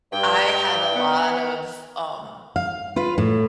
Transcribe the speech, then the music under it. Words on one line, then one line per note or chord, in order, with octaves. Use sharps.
I had a lot of, um
G2 G5
B3
F5
F4 B4 F5
A2